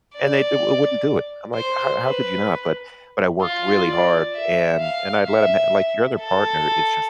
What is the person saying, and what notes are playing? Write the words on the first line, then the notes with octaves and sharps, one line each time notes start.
and they d wouldn't do it. I'm like, "How how could you not?" But but I worked really hard, and and I'd let 'em like, "Your other partner is just
D5
C5
B4
F4
D5
E5
F5
E5
A4